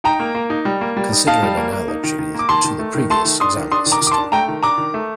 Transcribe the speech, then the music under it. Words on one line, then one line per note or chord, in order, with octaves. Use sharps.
Consider an analogy to the previous example system.
D#4 G5 A#5
A#3
A#3
D#4
G3
A#3
G3
D#4
D#4 F5 A5
G3
A#3
A#3
D#4
D#3
D#3
A#3 D6
D#3 A5 C6
D#3
A3
D#3
A3 A5 C6
D#3
D4 C6 D#6
D#3
D4 C6 D#6
D#3
A#5 D6
D#3
D6
A5 C6
D4
A3 G5 A#5
D#3
D4 A#5 D6
D#3
A3